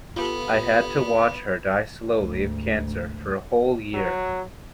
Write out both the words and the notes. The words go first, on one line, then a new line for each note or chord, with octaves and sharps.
I had to watch her die slowly of cancer for a whole year.
B3 F4 G4 A4
D2 G#2
F#3